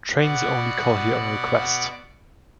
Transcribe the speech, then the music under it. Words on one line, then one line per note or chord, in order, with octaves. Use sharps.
Trains only call here on request.
B2 D5 F#5